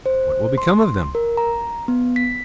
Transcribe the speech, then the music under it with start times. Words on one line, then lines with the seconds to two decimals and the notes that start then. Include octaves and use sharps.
What will become of them?
0.06 C5
0.58 C6
1.15 A#4
1.37 A#5
1.88 B3
2.16 B6